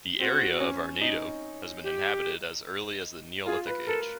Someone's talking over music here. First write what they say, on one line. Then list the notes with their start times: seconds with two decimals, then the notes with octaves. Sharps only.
The area of Arnedo has been inhabited as early as the Neolithic Age.
0.20 C4 F#4
0.60 C#4
1.01 D#4
1.84 G4
3.46 F4 G#4
3.67 B4
3.87 A4 A#4